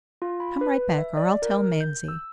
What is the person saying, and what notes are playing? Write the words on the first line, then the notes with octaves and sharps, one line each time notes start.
"Come right back, or I'll tell mamsie!"
F4
B5
B4
E5
D5
A#4
G6
E6